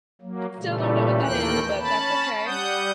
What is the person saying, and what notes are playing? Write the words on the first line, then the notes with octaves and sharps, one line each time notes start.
still don't know what that is, but that's okay.
F#3 A#3
A#2 C#3 E3 G3 A3
D#2 E3 A3 A#3 G5 F#6
C#4 A5 B5
G3 F#5 D#6 G6